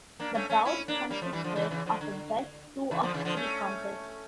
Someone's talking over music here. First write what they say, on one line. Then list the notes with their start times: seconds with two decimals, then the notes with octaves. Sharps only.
The bout consisted of a best-two-of-three contest.
0.20 A#3 D4
0.35 A3 C#4
0.50 A3 C#4
0.65 C#4 E4
0.88 A#3 D4
1.10 G3 A#3
1.22 F3 A3
1.33 E3 G3
1.44 D3 F3
1.55 C#3 E3
1.71 C#3 E3
1.86 D3 F3
2.01 D3
2.91 C#3 E3
3.03 D3 F3
3.14 C#3 E3
3.25 D3 F3
3.36 A3 C#4